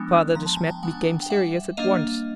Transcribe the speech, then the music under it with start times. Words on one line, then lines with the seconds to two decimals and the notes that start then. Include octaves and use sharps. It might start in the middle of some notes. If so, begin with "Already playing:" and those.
Father De Smet became serious at once.
Already playing: F3 G#3 B3 D4 G5
0.35 F3 A#5
0.46 A5
0.56 G#5
0.67 G5 A5
0.83 G#3 B3 D4 F#5 G#5
1.23 G5
1.30 G3 E5 F#5
1.77 A#3 D4 D#5 F5